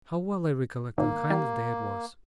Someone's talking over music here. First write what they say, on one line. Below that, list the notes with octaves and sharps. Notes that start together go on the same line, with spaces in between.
How well I recollect the kind of day it was!
G#1 A#3
G3